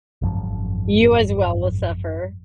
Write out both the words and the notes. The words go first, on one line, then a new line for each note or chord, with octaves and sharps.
You as well will suffer.
G#1 F#2 F3